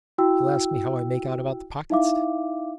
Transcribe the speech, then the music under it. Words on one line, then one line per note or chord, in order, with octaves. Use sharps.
You'll ask me how I make out about the pockets?
E4 F#4 G5 E6
D#4 E4 E5 F5 D6